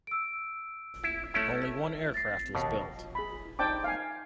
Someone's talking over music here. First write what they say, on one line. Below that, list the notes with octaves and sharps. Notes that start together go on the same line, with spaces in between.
Only one aircraft was built.
E6 D7
E4
A3 C#4 E4
A6 A#6 C7
D#2 B2 A5
G#4 B5
D#4 C5 D5 G5 A5 D6
F5 G#5